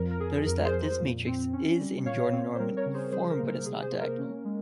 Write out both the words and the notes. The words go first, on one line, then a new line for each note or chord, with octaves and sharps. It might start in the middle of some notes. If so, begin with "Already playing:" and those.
Notice that this matrix is in Jordan normal form but is not diagonal.
Already playing: F2 F3 A#4
A#4
F2 G#4
F2 A#4
G#4 C5
F2
A#2
C4
C#4
G3
A#2 C#5 F5
C4
C5
G3 A#4
A#4 C#5
C#3
G#4 C5
G3 G#4 C5
A#4
A#3
A#4
C3 G#4
G#4 C5
A#3
A#4
C#4
G#3